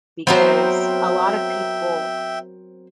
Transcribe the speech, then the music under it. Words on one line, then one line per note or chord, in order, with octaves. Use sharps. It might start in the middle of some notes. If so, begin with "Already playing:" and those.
because a lot of people,
F#3 B3 C4 A#4 C5 E5 G5